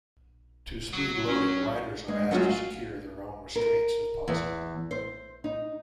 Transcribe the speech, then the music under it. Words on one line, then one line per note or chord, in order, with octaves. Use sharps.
To speed loading, riders are asked to secure their own restraints if possible.
F#3
C#4
G#3
F#3 G#3 A3 C#4 F4 F#4
F5
A#4
E2
C5
D#4